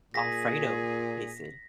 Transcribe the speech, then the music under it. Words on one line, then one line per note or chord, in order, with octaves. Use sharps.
Alfredo tasted.
A#2 G#4 A#6 B6